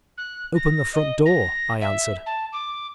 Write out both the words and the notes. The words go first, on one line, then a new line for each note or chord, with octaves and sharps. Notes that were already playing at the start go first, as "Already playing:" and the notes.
"Open the front door," I answered.
F#6
A#6
D#5
A#6
E5
A5
D6